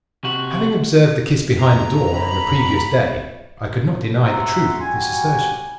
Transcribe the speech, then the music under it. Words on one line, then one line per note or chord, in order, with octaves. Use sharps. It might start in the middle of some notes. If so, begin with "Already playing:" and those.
Having observed the kiss behind the door on the previous day, I could not deny the truth of this assertion.
C3 F#4
F2 A#5
B5
F#4 G#4 E5 F#5 A#5 C6
G3 F#4 G#5